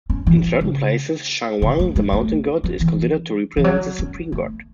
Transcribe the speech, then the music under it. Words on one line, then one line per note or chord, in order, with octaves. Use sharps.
In certain places, Shanwang, the mountain god, is considered to represent the supreme god.
C#4
E3
C#3
C#3
A3
G#3
A3
F#3
E3
E3
F#3
C#4
A3